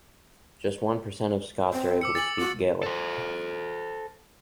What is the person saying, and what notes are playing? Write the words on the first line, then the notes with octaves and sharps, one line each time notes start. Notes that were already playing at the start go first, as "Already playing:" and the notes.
Just one percent of Scots are able to speak Gaelic.
C4
D6 E6 C#7
G#5 A6 F#7
F#4 D6
A4 C5